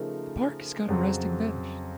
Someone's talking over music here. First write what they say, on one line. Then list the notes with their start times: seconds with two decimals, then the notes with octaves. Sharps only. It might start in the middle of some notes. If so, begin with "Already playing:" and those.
The park has got a resting bench.
Already playing: C#3 F3 A3 D#4 A#4
0.88 F2 C#3 F#3 C4